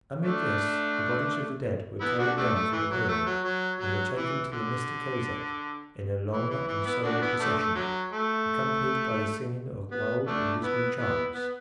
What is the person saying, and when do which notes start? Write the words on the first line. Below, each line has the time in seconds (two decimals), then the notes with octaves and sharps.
Amid this the bodies of the dead were carried down from the pyramid, and were taken to the Mista Kosek in a long and solemn procession, accompanied by the singing of wild and dismal chants.
0.21 A3 D4
2.01 B3 E4
2.19 D4 F#4
2.37 A3 D4
2.55 A3
2.73 E3
2.91 F#3
3.09 A3
3.27 F#3
3.45 F#3
3.81 F#3
4.17 E3
4.52 D3
6.33 E3
6.50 E3
6.68 E3
6.86 B3 E4
7.03 D4 F#4
7.22 B3 E4
7.40 A3 D4
7.58 A3
7.75 D3 F#3
8.12 A3
9.91 B3
10.27 A3 D4
10.63 B3 E4
10.98 B3 E4
11.35 B3